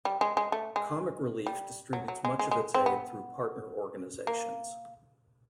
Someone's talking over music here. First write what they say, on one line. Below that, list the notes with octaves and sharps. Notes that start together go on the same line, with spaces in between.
Comic Relief distributes much of its aid through partner organisations.
G3
G#3
G#3
A3
G#3
G3
F#3
F#3
G#3
G#3
G#3
C4
B3
A#3